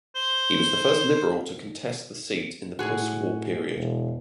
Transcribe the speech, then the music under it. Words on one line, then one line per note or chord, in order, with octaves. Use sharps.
He was the first Liberal to contest the seat in the post-war period.
C5 G7
A2 F#4 G#4
E1